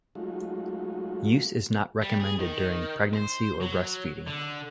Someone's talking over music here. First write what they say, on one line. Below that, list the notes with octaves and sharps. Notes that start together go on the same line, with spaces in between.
Use is not recommended during pregnancy or breastfeeding.
F#3 G#3 A3 D#4 F4 F#4
G3
G#4
D#3
C5
F#3
D3